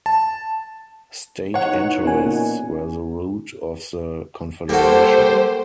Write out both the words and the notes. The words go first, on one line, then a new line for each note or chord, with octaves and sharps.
State interests were the route of the Confederation.
A5
B2 E3 D#4 C#5 F#5
A#2 B3 C#4 G#5
G3 A#3 F#4 A4 C5